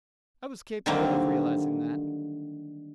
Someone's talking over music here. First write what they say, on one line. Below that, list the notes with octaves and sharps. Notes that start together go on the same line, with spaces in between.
I was capable of realising that.
D3 D#3 F#3 G3 A#3 C4